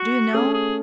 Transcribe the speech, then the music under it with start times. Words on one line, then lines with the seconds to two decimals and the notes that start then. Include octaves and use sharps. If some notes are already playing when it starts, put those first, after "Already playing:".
Do you know?
Already playing: F#4
0.34 A3 C#4 G#4
0.54 G#4